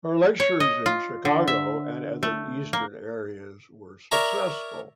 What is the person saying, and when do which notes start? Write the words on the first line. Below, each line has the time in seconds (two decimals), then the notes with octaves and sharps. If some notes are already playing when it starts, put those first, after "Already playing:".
Her lectures in Chicago and other Eastern areas were successful.
0.40 C#5
0.60 D#5
0.86 F4
1.25 D3
1.48 E5
2.23 A3
2.73 A#3
4.11 A#4 C#5 D5 E5 A#5